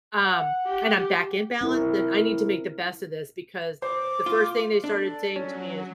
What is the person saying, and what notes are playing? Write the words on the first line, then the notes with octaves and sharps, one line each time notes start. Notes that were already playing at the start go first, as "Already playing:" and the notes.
um, and I'm back in balance, then I need to make the best of this because the first thing they started saying to me is,
F#5
G4
C4 E4 A#4
C5 D6
F4
D4 A4
F#3 C#4